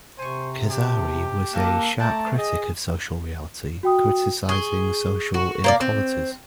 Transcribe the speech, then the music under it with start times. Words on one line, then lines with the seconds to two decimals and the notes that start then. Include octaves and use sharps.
Kesari was a sharp critic of social reality, criticising social inequalities.
0.18 C3 C5 G#5 C#6
0.70 D4 G4
1.53 A#3 D4 A4 A#4
2.00 A3 D5 G5 A5 A#5
2.38 G#4 D#5
3.83 F#4 G5 D#6
4.49 G#4 C#6 G7
5.34 F#4
5.64 A#3 C#5 D5
5.81 C4